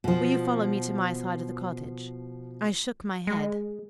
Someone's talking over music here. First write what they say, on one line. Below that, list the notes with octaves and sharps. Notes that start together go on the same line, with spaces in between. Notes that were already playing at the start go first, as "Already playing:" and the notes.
"Will you follow me to my side of the cottage?" I shook my head.
B2 F3
G#3